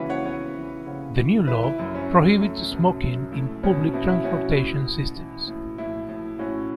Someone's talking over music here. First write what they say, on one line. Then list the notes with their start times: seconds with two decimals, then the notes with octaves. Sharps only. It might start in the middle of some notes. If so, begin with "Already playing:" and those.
The new law prohibits smoking in public transportation systems.
Already playing: C#3 E3 C#4 F#4 B4 E5
0.10 C#5 F#5
0.25 B3 C#5 F#5
0.56 E3
0.86 C#3 C#5 F#5
1.18 E3
1.47 E3 B4 E5
1.63 E4
1.78 F#2 E4
1.95 C#4
2.10 F#3
2.41 A3
2.71 B2
3.02 F#3
3.32 A3 E4
3.63 B2 C#4
3.93 B2 E4
4.09 E4
4.24 B2 C#4 F#4
4.55 A2 E4
4.86 A2
5.16 E3
5.47 A2
5.78 A2 E4
6.09 A2
6.39 A2 C#4 F#4